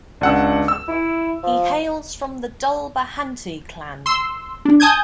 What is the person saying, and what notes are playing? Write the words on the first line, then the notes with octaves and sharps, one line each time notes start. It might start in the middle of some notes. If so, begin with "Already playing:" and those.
He hails from the Dhulbahante clan.
C#2 D4 F#5 E6
E6
E4
F3
C6 E6
D4
G#5 A5 D#6 G6 G#6